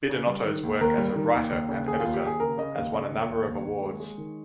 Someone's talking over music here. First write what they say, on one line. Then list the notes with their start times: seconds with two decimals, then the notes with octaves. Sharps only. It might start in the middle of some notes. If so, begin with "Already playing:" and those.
Bidinotto's work as a writer and editor has won a number of awards.
0.10 C#3
0.27 G3
0.45 D#3
0.63 D#2
0.81 D#2 A#4
0.98 G3
1.16 D#3
1.34 D#2
1.52 D#2
1.69 C#3
1.87 D#2 G#4
2.00 D#2 F4
2.14 G4
2.22 D#2 G#4
2.40 C#3 A#4
2.58 C#3 D#5
2.76 D#2 F5
2.94 C#3 D#5
3.11 D#2
3.21 C#5
3.30 D#2
3.47 D#2
3.64 D#2
3.83 G#3
4.00 G#3
4.18 D#3